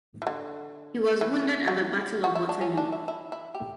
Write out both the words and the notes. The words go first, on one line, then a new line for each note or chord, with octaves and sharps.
He was wounded at the Battle of Waterloo.
E3
D3
E3
F#3
F#4
E4
D4
C#4
D4
E4
E4
E4
G4